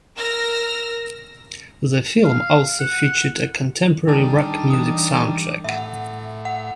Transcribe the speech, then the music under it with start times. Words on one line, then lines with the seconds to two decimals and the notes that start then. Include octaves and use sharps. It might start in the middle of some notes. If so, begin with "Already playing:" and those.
The film also featured a contemporary rock music soundtrack.
0.18 A#4 E6 F6 A#6
2.24 F5
2.79 F#5
4.08 D#3 G3 D4 D#4 A5
4.70 E3 D#6
5.64 A2 E5 F#5
6.45 F#5